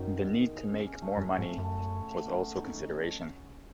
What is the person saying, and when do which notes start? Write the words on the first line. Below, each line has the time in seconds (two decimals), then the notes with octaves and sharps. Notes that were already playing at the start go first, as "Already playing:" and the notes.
The need to make more money was also a consideration.
Already playing: F#2 B2 D#3
0.08 G#4
0.24 G#4
0.39 D#3
0.56 G#4
0.70 C#4
0.87 C#4
1.02 A3
1.17 F#2 A3
1.33 F#4
1.38 G#2
1.48 A3
1.58 F#2
1.64 A3
1.79 C#5
1.96 C#5
2.11 A3
2.27 C#4
2.42 B3
2.58 D#4